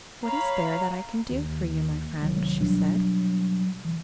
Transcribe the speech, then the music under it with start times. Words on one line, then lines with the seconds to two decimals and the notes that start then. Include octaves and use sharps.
"What is there that I can do for you, my friend?" she said.
0.23 C#5 F5 A#5 B5
1.30 D#2
2.22 F1 C2 D#3 F#3
2.60 B2 F#3 G3 D4
3.84 E3